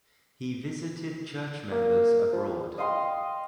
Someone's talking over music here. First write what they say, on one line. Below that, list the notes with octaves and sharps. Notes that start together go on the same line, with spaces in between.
He visited Church members abroad.
A#3
F3
D#5 F5 G5 C6